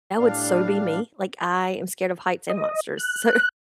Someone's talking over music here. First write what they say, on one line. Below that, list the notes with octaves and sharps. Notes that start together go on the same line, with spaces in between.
that would so be me, like, I am scared of heights and monsters, so
A2 G3 D4 F5
D#5
F#6